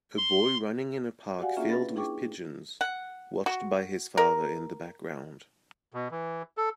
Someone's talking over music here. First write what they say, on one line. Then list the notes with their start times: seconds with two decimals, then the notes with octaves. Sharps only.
A boy running in a park filled with pigeons, watched by his father in the background.
0.17 C6
1.39 F#4 G4 D5 F5 F#5 G#5
1.56 A#3 C#4 D4 F4 G#4 E5
1.68 B4 B5 A6 A#6
1.96 D4 E4 G#4 G5 C#6 D6
2.81 F#5
3.46 F#4
4.17 A#4
5.94 B2
6.11 E3
6.57 A4